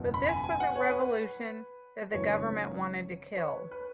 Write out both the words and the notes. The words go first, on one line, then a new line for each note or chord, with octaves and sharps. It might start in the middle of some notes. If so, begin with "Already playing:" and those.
But this was a revolution that the government wanted to kill.
Already playing: F#1 E2 B2 F#3
B5
G#5
G#5
F#5
C#5
B4
G#1 F#2 C#3 E3 C#5
C#5
B4
B4